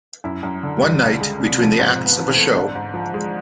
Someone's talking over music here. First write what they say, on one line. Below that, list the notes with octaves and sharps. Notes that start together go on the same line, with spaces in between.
One night between the acts of a show.
F#2 E4
F#2
D3
G3
C#2
G#3
C3
F3
G#2 C4
G#2
B3
E3
C4
A3
G#2 D4
G#2
F3
G#3